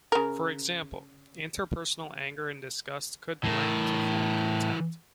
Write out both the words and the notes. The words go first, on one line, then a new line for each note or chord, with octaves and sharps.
For example, interpersonal anger and disgust could blend to form contempt.
C#3 A#4
A2 E3 A#4